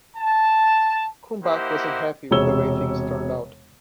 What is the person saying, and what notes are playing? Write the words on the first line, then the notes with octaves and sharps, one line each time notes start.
Krumbach was unhappy with the way things turned out.
A5
A#3 E4 G4 C5 D#5 F#5
E1 C3 G#4 C#5 E6 G7